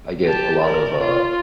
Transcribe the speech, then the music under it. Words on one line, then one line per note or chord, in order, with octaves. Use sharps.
I get a lot of, uh,
G4 A5
A#4 D5
F4